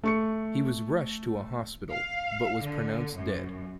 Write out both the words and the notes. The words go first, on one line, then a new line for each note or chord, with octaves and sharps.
He was rushed to a hospital but was pronounced dead.
A3 C#6 C#7
F5
D3
F#2